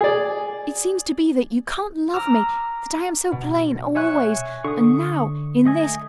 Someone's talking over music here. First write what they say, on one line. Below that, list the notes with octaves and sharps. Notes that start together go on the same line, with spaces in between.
"It seems to be that you can't love me, that I am so plain... always... and now... in this cond..."
G#4 D5
A#5 D6 E6 F6
B2
C#5 E5 G#5 C#6 F#6
D3 C#6 D#6
A3 D#5 G#5